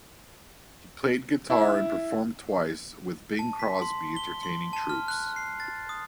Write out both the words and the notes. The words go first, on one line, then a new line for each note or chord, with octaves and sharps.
He played guitar and performed twice with Bing Crosby entertaining troops.
E4
A5
B6
C6
G7
C6
A5
F6
F#6
C7
A6
D#6